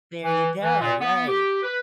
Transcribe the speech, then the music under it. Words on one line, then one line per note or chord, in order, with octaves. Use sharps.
There ya go. Right.
E3
E3
A#2
B3
G4
B4